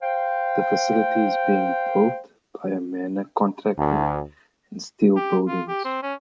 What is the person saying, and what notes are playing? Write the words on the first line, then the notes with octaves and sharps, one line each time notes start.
The facility is being built by Amana Contracting and Steel Buildings.
C5 F5 G5
D2
G4
F4
G4
C4
C#4